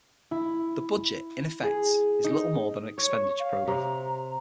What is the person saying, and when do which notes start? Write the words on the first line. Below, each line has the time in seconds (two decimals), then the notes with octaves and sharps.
The budget, in effect, is little more than an expenditure programme.
0.31 E4
1.63 G#4
2.24 D#4
2.98 C#5 C#6
3.40 F5
3.68 C3 A#5